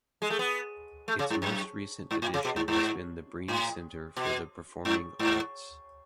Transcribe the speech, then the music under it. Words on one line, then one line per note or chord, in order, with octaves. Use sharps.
Its most recent addition has been the Breen Center for the Performing Arts.
G#3
A3
B3
A3
C#3
G#2
F#2
G#2
A2
C#3
B2
G#2
G#2
A2
B2
G#2
G#2